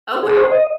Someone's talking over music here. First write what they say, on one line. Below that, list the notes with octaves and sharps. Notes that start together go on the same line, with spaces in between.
Oh, wow.
G#4
C5
D#5